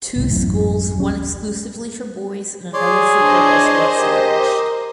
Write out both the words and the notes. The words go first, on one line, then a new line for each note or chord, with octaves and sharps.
Two schools one exclusively for boys and another for girls were established.
D1 C2 A2
A1 F#2 A2
D#1 F#3 C#4
G#4 C#5 D5 C6
D4 C5 D#5
G4 A#4